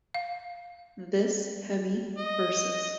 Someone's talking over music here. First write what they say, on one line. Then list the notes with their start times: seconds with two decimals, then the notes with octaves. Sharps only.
This Hemi "vs".
0.14 F5
2.17 D#5